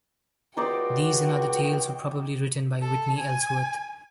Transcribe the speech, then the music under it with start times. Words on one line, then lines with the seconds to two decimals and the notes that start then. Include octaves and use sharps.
These and other tales were probably written by Whitney Ellsworth.
0.57 C#2 D#4 F#4 C5 D5 G5
2.82 A4
3.19 G#5